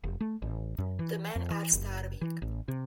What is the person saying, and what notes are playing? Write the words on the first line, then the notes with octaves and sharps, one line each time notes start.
The men are starving.
F1
A3
A1
F#2
E3
F2
E3
F#1
E3
A1
C3